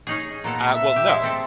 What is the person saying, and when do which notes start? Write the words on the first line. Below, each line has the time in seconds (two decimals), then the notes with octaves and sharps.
Uh, well, no.
0.07 C#4 D#4 G#4
0.44 A#2 B3 A4 A#5
0.72 E5
0.96 G4
1.08 G#3
1.24 C4 A4 A5